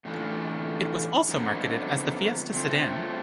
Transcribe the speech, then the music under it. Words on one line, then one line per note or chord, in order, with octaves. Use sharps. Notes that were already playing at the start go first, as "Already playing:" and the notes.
It was also marketed as the Fiesta Sedan.
A2 E3 A3 D4 F4
F2 D3 F#3 B3 D#4
D3 F#3 A3 C4 F4